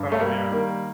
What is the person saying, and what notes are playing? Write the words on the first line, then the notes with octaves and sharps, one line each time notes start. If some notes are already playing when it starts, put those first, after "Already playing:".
Oh, yeah.
Already playing: G2
A3
G3 A#3
D#3 A#3